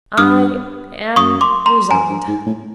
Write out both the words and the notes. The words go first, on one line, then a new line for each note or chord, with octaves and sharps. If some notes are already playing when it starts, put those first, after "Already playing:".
I am resigned.
G2 D#6 F6
F#2 C#6 D#6
C6 D6
A#5 C6
F#2 G#5 A#5
G2
G#2
A2